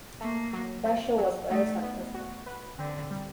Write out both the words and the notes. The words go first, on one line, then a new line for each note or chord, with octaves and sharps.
That show was successful.
A3 A#3
F#3
C4
F#3
A3 D#4
B3
F#4
B4
D3 C4
G3